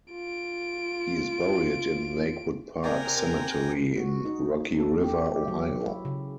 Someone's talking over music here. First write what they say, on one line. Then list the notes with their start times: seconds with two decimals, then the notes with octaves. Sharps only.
He is buried in Lakewood Park Cemetery in Rocky River, Ohio.
0.12 F4 D7
2.84 C3 A#4 D5 G5 G#5 A#5
3.97 F#4
4.25 D#4
4.80 A4
5.03 G4
5.26 G4
5.48 F#3
5.81 E4
6.05 C#3